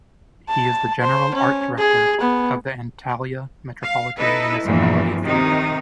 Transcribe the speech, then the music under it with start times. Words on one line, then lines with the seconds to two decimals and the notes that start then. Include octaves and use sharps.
He is the general art director of the Antalya Metropolitan Municipality Theatre.
0.49 A5
1.02 C5
1.35 C#4
1.78 G#4
2.21 B3
3.83 F5
4.17 D#4 E4 A4 B4 D#5
4.65 E2 G2 A#2 E3 F3
5.22 C3 D#3 D#4